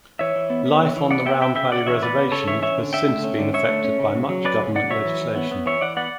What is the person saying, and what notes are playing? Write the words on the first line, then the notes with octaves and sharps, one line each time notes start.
Life on the Round Valley Reservation has since been affected by much government legislation.
E3 C#5 E5
E3
B3
B3
E3
E3
B3 D5 F#5
B3 E5 G5
B3 E5 G5
C#3 E5 G5
C#3 D5 F#5
E3 C#5 E5
B3 B4 D5
C#3
C#3 A4 C#5
E3 C#5 E5
C#4 C#5 E5
D3
D3 E5 G5
A3
C#4
D3
D3 C#5 E5
A3
C#4
C#3
C#3
F#3
C#4 B4 D5
C#3
C#3 D5 F#5
F#3 C#5 E5
E3
E3
B3
B3
E3 C#5 E5
E3 D5 F#5
B3 D5 F#5